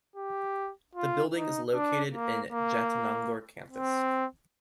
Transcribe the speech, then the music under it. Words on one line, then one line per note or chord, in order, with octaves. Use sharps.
The building is located in Jatinangor campus.
G4
F4
D#4
D4
A#3
A#3
C4